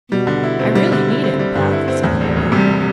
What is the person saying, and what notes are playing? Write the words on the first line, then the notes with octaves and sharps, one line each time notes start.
"I really need him, Beth," said the boy.
B2 G3
D3
E4
B2 C4
G3
D3
E4
C4
G3
G2 D3
E4
C4
E2 A2
E1
E1
C3 G3